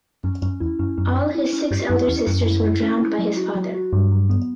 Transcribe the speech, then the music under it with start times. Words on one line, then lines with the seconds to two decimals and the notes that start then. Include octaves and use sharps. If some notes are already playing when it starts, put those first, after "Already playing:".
All his six elder sisters were drowned by his father.
0.24 F#2 C#4
0.42 F#2 C#4
0.60 E2 E4
0.79 F#2 C#4
0.98 F#2 C#4
1.16 C#4
1.35 E4
1.53 C#4
1.71 G2 G4
1.90 F#2 E4
2.08 E2 C#4
2.26 F#2 C#4
2.45 E4
2.64 E4
2.83 C#4
3.01 E4
3.19 F#3
3.37 F#4
3.55 F#3
3.74 F#4
3.93 G2 F#3
4.11 F#3
4.29 B3